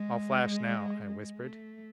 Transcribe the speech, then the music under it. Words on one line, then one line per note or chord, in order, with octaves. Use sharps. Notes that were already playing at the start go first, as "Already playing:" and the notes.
"I'll flash now," I whispered.
Already playing: G#3
G#3
A3